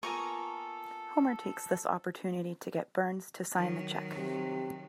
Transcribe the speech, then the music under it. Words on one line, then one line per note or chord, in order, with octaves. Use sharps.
Homer takes this opportunity to get Burns to sign the check.
A#3 B3 F4 A4 G#5 A#5 C#6 D#6
D#3 F#3
C3